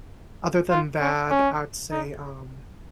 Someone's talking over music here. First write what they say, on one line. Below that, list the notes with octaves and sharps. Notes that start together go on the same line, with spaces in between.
other than that, I'd say, um,
F4
C#4
C#4
D#4